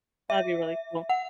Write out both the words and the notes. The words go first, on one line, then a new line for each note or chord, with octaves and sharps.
That'd be really cool.
E5
F#5